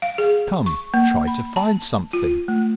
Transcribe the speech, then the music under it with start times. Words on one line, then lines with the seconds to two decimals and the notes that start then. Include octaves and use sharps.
Come, try to find something!
0.02 F5
0.18 G#4
0.66 C#6
0.94 A#3
1.27 B5
1.56 A5
2.13 F4
2.48 A3